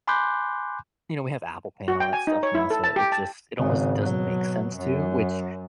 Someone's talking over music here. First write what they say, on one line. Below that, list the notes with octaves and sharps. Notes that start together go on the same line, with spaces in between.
you know, we have Apple Pay and all that stuff now, so it just it almost doesn't make sense to, which,
G#5 B5 C6 D6 F#6 G6
F#4
G5
G#5
D#4
C#5
E4
A4
A5
G4
A5
G#1 C#3
B2 F#3
F#2